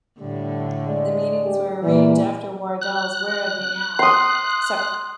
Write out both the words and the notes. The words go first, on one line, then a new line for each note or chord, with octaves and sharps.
The meetings were arranged after Wardell's 'Where Are They Now?
A2 D3 G3
G#3 D5
G4
E2 A#2 E3 A#3 D5
F#6
C6 D#6